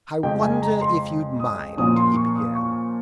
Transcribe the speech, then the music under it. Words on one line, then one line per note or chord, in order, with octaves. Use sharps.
"I wonder if you'd mind," he began.
F2 C#3 G#3 G5
G#5
A#5
C6
D#6
A#2 F3 A#3 C#4 D#6
C6
C#6
D#6
C#6